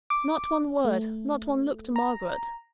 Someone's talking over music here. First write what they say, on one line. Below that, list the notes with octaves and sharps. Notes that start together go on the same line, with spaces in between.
Not one word: not one look to Margaret.
D6
A3
A#5